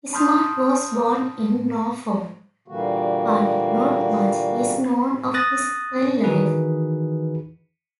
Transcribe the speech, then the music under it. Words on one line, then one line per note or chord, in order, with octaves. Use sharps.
Smart was born in Norfolk, but not much is known of his early life.
A5 B5 C6 D#6 F6 G6
A#2 D3 E3 G3 A#3 F#4
D#6 F#6 A6 A#6
D#3 E3 D#4 F#4 G#4 B4